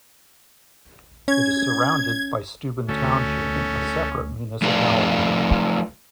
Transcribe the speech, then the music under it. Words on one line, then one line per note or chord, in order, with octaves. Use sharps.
It is surrounded by Steuben Township, a separate municipality.
C#4 G#6
D2 A3 C#4
F3 A3 D#4 F4 B4 D5